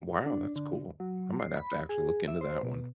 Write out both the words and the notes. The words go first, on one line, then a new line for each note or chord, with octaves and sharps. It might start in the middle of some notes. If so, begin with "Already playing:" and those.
Wow, that's cool. I might have to actually look into that one.
D4
D3
F#3
C7
B5
G#4
E5
C5
B2